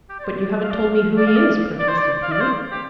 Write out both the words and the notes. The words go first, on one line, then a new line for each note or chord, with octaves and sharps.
"But you haven't told me who he is," protested Peter.
G4
D5
C5
D5
F5
D5
F5
D5
F5
D5
D5
C5
D5
F5
D5
C5
G4